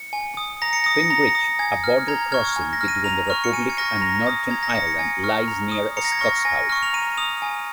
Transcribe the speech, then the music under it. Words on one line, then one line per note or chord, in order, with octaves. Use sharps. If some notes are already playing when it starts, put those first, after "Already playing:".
Finn Bridge, a border crossing between the Republic and Northern Ireland, lies near Scotshouse.
Already playing: C#7
G#5
D#6
A#5 A#6
C#7
D#6 A#6
C#7
A#5 A#6
D#6
G#5 G#6
F6
A#5 G#6
C#6 F6 G#6
G#5
A#6
F6
D#7
A#5 F7
C#6 F6 F7
C#7
G#5 D#7
G#6
C#6 F6 A#6
A#5 A#6
D#6
A#5 G#6
A#6
C#7
D#6 A#6
C#7
G#5
C#6 F6
A#5
D#6
A#5 C#7
A#6
G#6
C#6 F6 A#6
G#5 A#6
C#6 F6
F7
A#5 D#7
D#6 F7
G#5